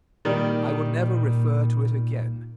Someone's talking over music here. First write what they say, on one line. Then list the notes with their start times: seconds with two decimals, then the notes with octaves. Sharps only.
I will never refer to it again.
0.25 A#2 D#3 G3